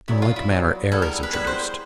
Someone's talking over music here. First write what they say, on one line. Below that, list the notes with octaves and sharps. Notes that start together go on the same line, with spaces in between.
In like manner air is introduced.
A#2 F#3 B3 E4
F4
E4
A#2 F#3 B3
G3 B3 E4 G#4 A4
A#4
B4
G3 B3 E4 G#4 B4
C5